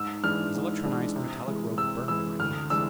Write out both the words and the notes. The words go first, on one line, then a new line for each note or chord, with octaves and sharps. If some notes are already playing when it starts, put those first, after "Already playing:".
His electronized metallic robe burned my hands.
Already playing: G#2 E6
E3 G#3 D4 F6
G#2
E3 G#3 D4
C3
E3 G#3
C3 E6
E3 G#3 E6
D2 F6
C3 E3 G#3 D4 E6